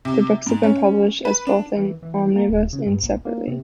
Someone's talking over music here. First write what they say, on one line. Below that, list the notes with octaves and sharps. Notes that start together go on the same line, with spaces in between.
The books have been published as both an omnibus and separately.
C3
G#2
C#4
B4
D4
E3
E3
A#3
D#1
C#3
G2
A#1
A#3
C3